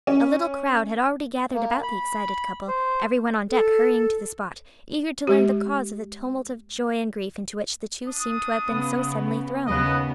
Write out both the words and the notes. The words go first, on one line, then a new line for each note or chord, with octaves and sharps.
A little crowd had already gathered about the excited couple, every one on deck hurrying to the spot, eager to learn the cause of the tumult of joy and grief into which the two seemed to have been so suddenly thrown.
C#4
A#3
B5
C5
A4
G#3 G4
D4 D#6
C#3 B3
D#2 C#3 B3 B4 D#5 F#5